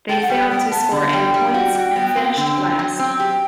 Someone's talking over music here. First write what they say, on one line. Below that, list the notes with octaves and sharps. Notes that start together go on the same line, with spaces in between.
They failed to score any points and finished last.
A4 G5
F#5
G3 G5
B3 G5
B3 A5
D3
G3 G5
G3
F#4
F#4
B3
C4
D3
C4
F#3
C4 G5
G4